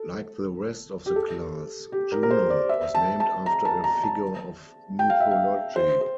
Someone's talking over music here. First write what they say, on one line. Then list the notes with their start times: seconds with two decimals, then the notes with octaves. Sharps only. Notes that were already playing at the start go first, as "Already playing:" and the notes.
Like the rest of the class, "Juno" was named after a figure of mythology.
Already playing: A4
1.06 G4
1.16 A4
1.92 G4
2.12 A#4
2.23 A#4
2.30 C5
2.50 D5
2.69 E5
2.95 A5
3.20 A5
3.46 A#5
3.65 A5
3.84 A#5
4.03 A5
4.99 G5
5.10 F5
5.20 E5
5.31 F5
5.76 C5
6.01 C5